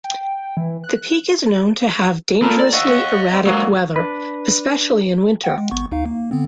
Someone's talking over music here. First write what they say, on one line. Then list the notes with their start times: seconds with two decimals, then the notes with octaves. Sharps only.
The peak is known to have dangerously erratic weather, especially in winter.
0.04 G5
0.57 E3
0.84 F#6
2.42 A#3 F4 A4 A#4 B5
2.60 D5
2.73 D#5 F5 F#5 C#6
3.32 C4 G5
3.46 F#3 G#3 A#3 F#4
3.96 D4 B4
5.44 F#5 G5
5.58 G#3
5.71 G#1 B3 C#6
5.92 D2 D#4 F5
6.06 A#3
6.31 D3 B3 C4